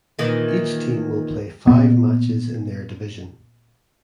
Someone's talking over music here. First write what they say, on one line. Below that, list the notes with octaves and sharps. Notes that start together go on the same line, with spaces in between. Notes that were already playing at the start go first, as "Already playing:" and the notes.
Each team will play five matches in their division.
A#2 D#3 E3
A#2 B3